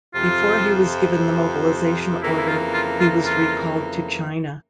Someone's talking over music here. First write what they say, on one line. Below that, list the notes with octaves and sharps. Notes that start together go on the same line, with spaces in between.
Before he was given the mobilization order, he was recalled to China.
F2 C3 F3 F4
F2 C#3 E3 A#3 E4
E4
F4
F4
F4
F4